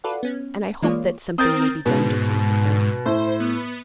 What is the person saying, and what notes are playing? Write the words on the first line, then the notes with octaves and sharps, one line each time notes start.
And I hope that something may be done to comfort her.
F4 F#4 A4 B4 D5 F#5
B3 C#4
E3 G#3 A#3 F4 C#5 D5
C4 A#4 D#6 G6 A6
G#2 B2
A2 C5
B3